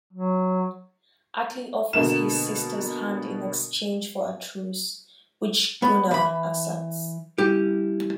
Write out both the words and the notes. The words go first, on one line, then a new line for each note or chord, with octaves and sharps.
Atli offers his sister's hand in exchange for a truce, which Gunnar accepts.
F#3
B2 D3 A#3 E7
B3
E3 B5
G3 C#4 E4 G4